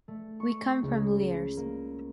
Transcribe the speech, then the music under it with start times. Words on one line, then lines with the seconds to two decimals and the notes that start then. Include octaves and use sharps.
We come from Llers.
0.08 A3
0.40 C#6
0.83 C#2
1.57 A#3